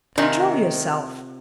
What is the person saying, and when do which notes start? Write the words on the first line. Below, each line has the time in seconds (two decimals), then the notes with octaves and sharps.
Control yourself!
0.18 C3 D#3 F4 G#5